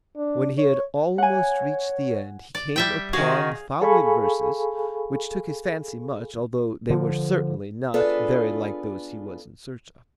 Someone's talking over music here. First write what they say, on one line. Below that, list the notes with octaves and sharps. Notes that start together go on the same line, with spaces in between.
When he had almost reached the end, he came upon the following verses, which took his fancy much, although they were certainly not very like those he was in search of.
D4
C#5
C#5 F#5 G#5
D5
G3 E5 G5
D#3 F#4 G#4 F5
G#4 A4 F5 G#5 B5 C#6
D3 F3
B3 D4 F4 G#4 A4 B4